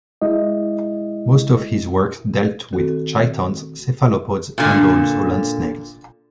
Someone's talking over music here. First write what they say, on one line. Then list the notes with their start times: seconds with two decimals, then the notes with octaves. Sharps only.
Most of his work dealt with chitons, cephalopods, and also land snails.
0.22 G#3 E4 D#5
2.73 D#3 A3 C4 F#4 A4
4.58 A#2 D3